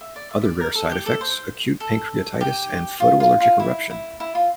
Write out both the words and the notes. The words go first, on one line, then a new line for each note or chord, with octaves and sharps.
Other rare side effects: acute pancreatitis and photoallergic eruption.
E5
D5
E5
E5
D5
A#4
A4
G4
A4
C5
A4
G4
F4
F4
F4
E4
E4
E4
F4